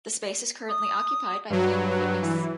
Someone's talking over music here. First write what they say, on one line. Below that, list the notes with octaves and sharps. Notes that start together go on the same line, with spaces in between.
The space is currently occupied by Planet Fitness.
D#6
G2 F#3 B4
E3